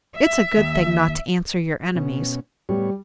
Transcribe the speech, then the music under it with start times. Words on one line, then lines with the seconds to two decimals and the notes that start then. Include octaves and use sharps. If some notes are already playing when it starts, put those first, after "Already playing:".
It's a good thing not to answer your enemies.
0.15 E5
0.57 D#2
1.95 B2 C#4
2.69 A2 G3 B3 C#5